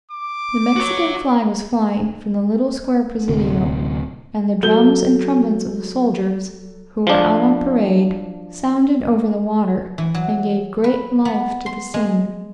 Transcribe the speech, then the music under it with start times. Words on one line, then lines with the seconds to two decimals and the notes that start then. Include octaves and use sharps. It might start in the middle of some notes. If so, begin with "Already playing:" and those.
The Mexican flag was flying from the little square Presidio, and the drums and trumpets of the soldiers, who were out on parade, sounded over the water, and gave great life to the scene.
0.11 D6
0.76 F#4 C#5
3.28 D1 D2 C3
4.63 F#3 A4 G6 G7
7.07 F3 D4
9.98 E3
10.14 F#3
10.84 B4
11.25 B3
11.66 C6
11.94 G#3